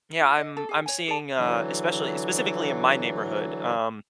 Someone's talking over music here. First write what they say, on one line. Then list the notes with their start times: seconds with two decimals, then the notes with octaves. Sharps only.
Yeah, I'm I'm seeing, uh, especially eh, specifically in my neighborhood, um,
0.21 F4
0.38 D#5
0.57 A4
0.69 G#4 G#5
0.86 C#5 G#5
1.08 G#4 D5 A5
1.39 D3 E3 F#3